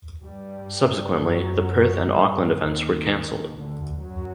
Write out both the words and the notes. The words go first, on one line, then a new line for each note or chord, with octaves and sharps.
Subsequently the Perth and Auckland events were cancelled.
G2 G3
F#2 F#3
G2 G3
D#2 D#3
D2 D3
F#2 F#3